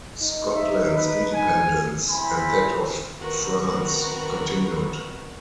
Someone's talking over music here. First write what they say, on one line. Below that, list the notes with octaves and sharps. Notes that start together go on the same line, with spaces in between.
Scotland's independence and that of France continued.
D#4
E5
B4
G#5
C4 E4 G#5 B5
D#3 C4 F#4 A#4 B4